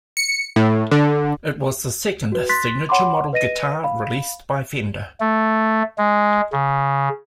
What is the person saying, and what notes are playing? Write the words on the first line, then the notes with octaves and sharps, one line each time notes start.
It was the second signature model guitar released by Fender.
C#7
A2
D3
F#4 B4
C6 F#6 A6 B6
C#5 F#5 B5 C6 D6
B4 D#5 A#6 D#7
F5 B5
A3
G#3
C#3